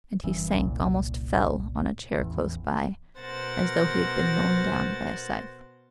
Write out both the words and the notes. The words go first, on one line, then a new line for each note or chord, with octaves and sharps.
And he sank, almost fell, on a chair close by, as though he had been mown down by a scythe.
F#1 G2 E3
F#1 C2 A#2
A1 E2
B2 A#4 C5 F#5 A6